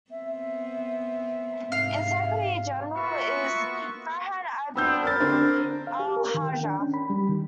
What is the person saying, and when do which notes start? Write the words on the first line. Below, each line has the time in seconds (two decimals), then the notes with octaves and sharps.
Its Secretary-General is Farhan Abu Al-Hayja.
0.11 B3 C4 E5
1.72 G#2 C3 F5
2.96 A#3 B3 F4 F#4 E5 C#6
4.76 B3 C4 B5 E6 G6
5.03 A#4 B5 A6
5.20 D3 C4 D4
5.87 F5
6.00 G4
6.16 A#4
6.34 D#3
6.49 G5
6.65 D4
6.79 C#4
6.94 B5
7.10 G3
7.29 D#3